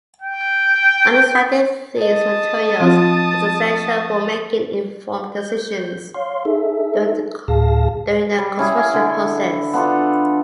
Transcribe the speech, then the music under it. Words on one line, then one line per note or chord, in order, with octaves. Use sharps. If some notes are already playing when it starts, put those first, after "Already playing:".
Understanding these materials is essential for making informed decisions during the construction process.
G5
D#5 A5 D#6
F3 C4 F4
G6
C#5 F5 C6
D#4 G#4 A4 E5
D2 A2 G#4 F5 A5 A#6
G3
C#4 E4 G#4
D3 A4
B3 D4 F4 A4